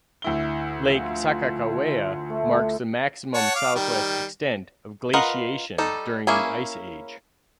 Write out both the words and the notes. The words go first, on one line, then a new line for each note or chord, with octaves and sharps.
Lake Sakakawea marks the maximum southwest extent of glaciation during the ice age.
D2 E4 G7
F3
A3
C#5 F#5 A5
F5 D6
D#3 G3
F4 A#4 B4 D#5 F#5
G3 D#4 A4
A#3 C#4 E4 G#4